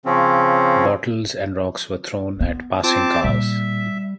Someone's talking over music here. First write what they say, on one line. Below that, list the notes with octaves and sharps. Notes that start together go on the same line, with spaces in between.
Bottles and rocks were thrown at passing cars.
C#3 F3 C4 C#4
B3
C4 F4 A5 D6
A#2 G3 E5